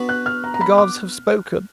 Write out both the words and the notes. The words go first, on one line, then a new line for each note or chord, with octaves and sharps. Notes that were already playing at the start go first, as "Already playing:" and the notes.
The gods have spoken.
Already playing: B3 D4 F#4 B4
F#6
F6
A#5
A#5
B5
D6